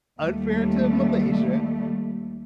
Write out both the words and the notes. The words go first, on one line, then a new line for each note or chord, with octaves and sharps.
unfair to Malaysia,
D#2 G3 A3